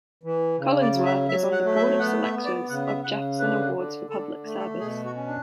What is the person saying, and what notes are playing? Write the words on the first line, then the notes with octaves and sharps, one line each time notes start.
Collinsworth is on the Board of Selectors of Jefferson Awards for Public Service.
E3
C#3
D5
F#3
E5
F#3 E5
F#5
A3
E5
B3 F#5
E5
B3
D5
C#3 F#5
E5
C#3 F#5
D3 B4
D3
D3 A4
A3
A4
B2 G#4
F#4
C#4
D4